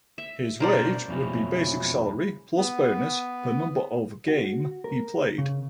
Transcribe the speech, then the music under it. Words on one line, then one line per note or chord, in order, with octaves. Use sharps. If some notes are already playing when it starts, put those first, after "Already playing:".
His wage would be basic salary plus bonus per number of game he played.
E5
B2 C#4 D4 A#4 C5 D5
F2 B2 F3 F#3 C#4 E4
B3
F#4
A#4
C#3